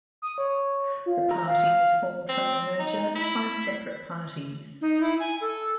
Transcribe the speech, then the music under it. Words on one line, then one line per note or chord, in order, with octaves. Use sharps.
The party was formed from the merger of five separate parties.
D#6
C#5
F4
A#5
F5
C4
D#4
E4
D#4
E4
G#5
A4